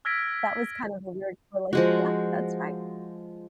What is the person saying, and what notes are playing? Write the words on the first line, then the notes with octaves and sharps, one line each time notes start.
that was kind of a weird push. Yeah, that's right.
E6 F6 G#6 A#6 B6 D7
F3 G#3 F#4